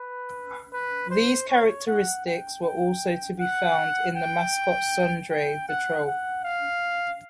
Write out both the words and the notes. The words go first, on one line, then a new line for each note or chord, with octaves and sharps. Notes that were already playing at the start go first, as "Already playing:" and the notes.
These characteristics were also to be found in the mascot Sondre, the troll.
Already playing: B4
B4
C5
C#5
F#5
G5
G5
F#5
G5
G5
F#5
F#5
F5